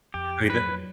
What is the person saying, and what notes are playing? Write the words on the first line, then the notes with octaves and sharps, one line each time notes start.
I mean, tha
F2 G4
F#3 B4